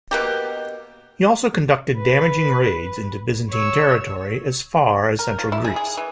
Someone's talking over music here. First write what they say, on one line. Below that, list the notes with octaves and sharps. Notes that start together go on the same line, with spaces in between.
He also conducted damaging raids into Byzantine territory as far as central Greece.
B2 A#3 G4
B4
C#5 E6
A#4
F3
E4
G#4
G#4
E3